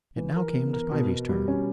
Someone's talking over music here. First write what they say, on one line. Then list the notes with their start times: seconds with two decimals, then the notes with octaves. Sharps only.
It now came to Spivey's turn.
0.17 E3
0.35 A#4
0.54 B3
0.73 A#4
0.91 B2
1.10 B2
1.29 G3
1.48 C#4